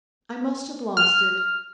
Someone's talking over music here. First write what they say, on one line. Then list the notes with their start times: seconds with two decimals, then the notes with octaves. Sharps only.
"I must have lost it."
0.97 F6